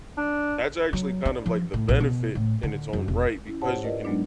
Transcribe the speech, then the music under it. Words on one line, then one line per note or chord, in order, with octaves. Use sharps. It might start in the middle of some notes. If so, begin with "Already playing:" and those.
That's actually kind of like the benefit in its own right because you can
D4
F#3
D4
F3
A2
A#1
B2
A2
D3
F#2
E1
C#4 E4
G#2 G4 C5 C#5 F#5 A5
E4 F4 A#4 B4 D5 D#5
F#3 G#3 B3 D4 D#4